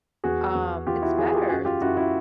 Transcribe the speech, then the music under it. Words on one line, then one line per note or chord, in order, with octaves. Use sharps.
um, it's better s
E2 F#4 G#4
E2
E2 F4 G4
E4 F#4
E3 F#4 G#4
G#4
F4 G4
F#2 F#4 G#4
F4 G4
F#2 E4 F#4
E4 F#4